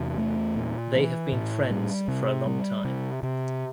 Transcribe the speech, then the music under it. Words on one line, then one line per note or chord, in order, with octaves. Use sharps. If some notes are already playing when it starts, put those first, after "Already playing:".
They have been friends for a long time.
Already playing: E2 C3
A3
A#2
E3
A2
G3
C3
G3
C3
C3